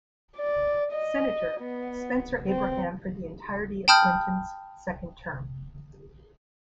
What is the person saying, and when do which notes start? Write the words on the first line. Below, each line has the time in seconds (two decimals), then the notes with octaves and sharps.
Senator, Spencer Abraham for the entirety of Clinton's second term.
0.37 D5
0.92 D#5
1.61 B3
2.47 C4
3.88 G5 A5 B5 D#6 F6 G6